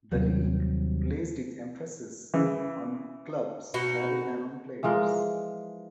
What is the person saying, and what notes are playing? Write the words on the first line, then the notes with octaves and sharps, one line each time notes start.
The league placed its emphasis on clubs rather than on players.
D#2 C3 F#3 G3
C#3 E3
B2 D#4 F#4
E3 F3 G#3 A#4